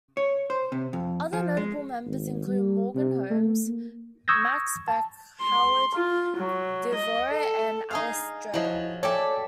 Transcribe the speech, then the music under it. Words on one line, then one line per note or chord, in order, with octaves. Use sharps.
Other notable members included Morgan Holmes, Max Beck, Howard Devore and Alice Dreger.
C#5
C5
C3
F2
F3
G#3
G#1
G3
C3
A3
A#3
C#6 D#6 E6 G6 G#6 A#6
A5
C6
F4
F#3
D#5
A4
D#4 G#4 F5
F3 F#3 E4 D#5
A4 C#5 D5 E5 G5 G#5